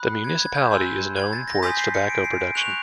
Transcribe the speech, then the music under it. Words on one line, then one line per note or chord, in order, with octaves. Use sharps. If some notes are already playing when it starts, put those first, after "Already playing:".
The municipality is known for its tobacco production.
Already playing: B5 D#6 F#6
G#6
G#6
G6
G#5 C6 E6
G#6
A6
A#6
G#5 C6 D#6 G6 B6
C7
C#7
D7
C7
D7
C#6 F#6 F7